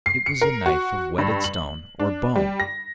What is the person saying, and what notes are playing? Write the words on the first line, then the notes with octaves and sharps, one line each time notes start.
It was a knife of whetted stone or bone.
C7
C#7
A#4
F#4
G2
F#7
D4
G3
A#6